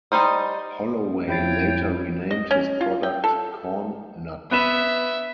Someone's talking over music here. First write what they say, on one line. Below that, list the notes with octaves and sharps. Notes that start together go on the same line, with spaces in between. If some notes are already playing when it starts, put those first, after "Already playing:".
Holloway later renamed his product CornNuts.
G3 D#4 C5 D#5
F2 F3 E4 C#5 G5 G6 A6
D#5
C#4
F4
G5
A4
B3 B4 E5 E7